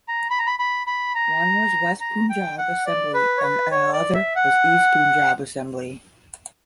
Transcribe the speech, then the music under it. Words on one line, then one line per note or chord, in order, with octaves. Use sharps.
One was West Punjab Assembly and other was East Punjab Assembly.
A#5
B5
A#5
B5
B5
B5
A#5
A#5
G5
F#5
D5
B4
C#5
B4
C#5
D5
E5
F#5